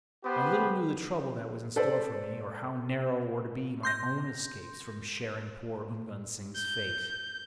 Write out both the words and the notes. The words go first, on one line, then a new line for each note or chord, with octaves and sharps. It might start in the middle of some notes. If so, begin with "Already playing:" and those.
I little knew the trouble that was in store for me, or how narrow were to be my own escapes from sharing poor Ungan Singh's fate.
B3 G4 B4 C5
A4 B4 C5 D5
C6 G6 A#6
G6